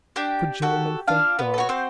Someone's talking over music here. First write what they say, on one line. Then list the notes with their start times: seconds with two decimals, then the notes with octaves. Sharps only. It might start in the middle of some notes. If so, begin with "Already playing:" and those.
Good gentlemen, thank God!
0.16 D4 G4 G5
0.62 F#4 A4
1.07 D4 F4 F5
1.39 B3 B4
1.54 A4
1.58 F#4 C#5
1.69 C4 C5